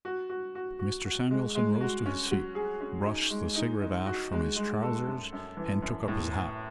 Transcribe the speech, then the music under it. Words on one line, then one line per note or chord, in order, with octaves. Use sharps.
Mr. Samuelson rose to his feet, brushed the cigarette ash from his trousers and took up his hat.
F#4
F#4
F#4
F#4
F#4
G#3
G#3
F#4
C#4
F#3
G#4
C#4
D#4
G#3
D#4
D#4
F#4
G#3
G#3
A4
F#2
F#2
E3
F#2
A2